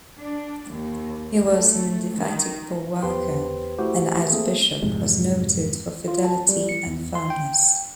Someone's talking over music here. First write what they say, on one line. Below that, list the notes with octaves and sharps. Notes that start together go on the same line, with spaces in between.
He was an indefatigable worker and as bishop was noted for fidelity and firmness.
D4
D#2
A3
D#3
E2 G4 B4 C5 G5 C6
A3 E4 F#4 G4 C5 F#5
A3 A#3 C4 G#4
F2 G#2 C3 G#3
F4
A5
G3
C#7
E2
C6
G5